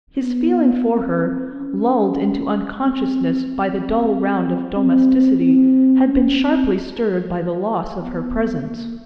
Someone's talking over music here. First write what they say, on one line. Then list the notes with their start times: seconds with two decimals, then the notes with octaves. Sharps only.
His feeling for her, lulled into unconsciousness by the dull round of domesticity, had been sharply stirred by the loss of her presence.
0.23 B3
0.89 C4
1.53 C#4
2.83 C4
3.47 C4
4.77 C4
5.41 C4
6.07 C#4
6.39 C4
8.00 B3
8.65 A#3